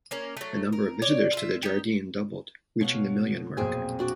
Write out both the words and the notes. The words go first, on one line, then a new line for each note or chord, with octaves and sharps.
The number of visitors to the Jardin doubled, reaching the million mark.
A#3 C#4 A#4
F#3 A3
A#4
C#5 D5
F4 E5
D#4 G4
B2 C#5 F5 F#5
B1 F2 A#2 C4 G#4 G#5
D4 F#4 D5